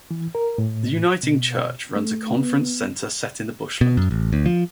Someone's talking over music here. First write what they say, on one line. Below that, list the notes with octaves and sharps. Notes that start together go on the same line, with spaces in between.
The Uniting Church runs a conference centre set in the bushland.
E3
A#4
A2
B2
A3
B3
B2
F#2
A1
D2
F3